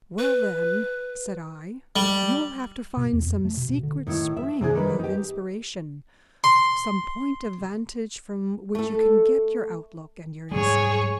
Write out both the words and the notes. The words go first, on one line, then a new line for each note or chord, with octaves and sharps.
"Well, then," said I, "you will have to find some secret spring of inspiration, some point of vantage from which you can get your outlook and your insight."
B4
G3
B2
E2
F2
A3
B2
B2
D3
A2 D#3 E4
E5
C3 D4 G#4
D#3 G3 B4
D#4 G4
C6
A3 A4
G#2 F#3 G3 G#4 C#5